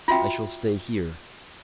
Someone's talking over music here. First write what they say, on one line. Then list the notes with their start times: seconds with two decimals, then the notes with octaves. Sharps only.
I shall stay here.
0.08 F4 F#4 E5 G5